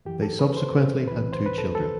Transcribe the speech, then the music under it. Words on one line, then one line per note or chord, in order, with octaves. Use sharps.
They subsequently had two children.
F#2 E3 G4
A4
B4
C5
C2 C3 E3 B4
C5
B4
A4
A4